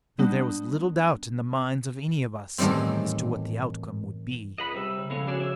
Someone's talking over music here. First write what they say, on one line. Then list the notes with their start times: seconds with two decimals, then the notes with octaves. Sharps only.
Though there was little doubt in the minds of any of us as to what the outcome would be.
0.19 G3 B3 D4
2.58 E2 A2 D#3 G3 C4
4.58 C#2 D#5 F#5 B5
4.75 C3 G3 E6
4.98 C#3
5.10 A2 F3 G#3 B3 C#4
5.27 C#3 D4 F#4 G#4 D5
5.40 C#4 E5 E6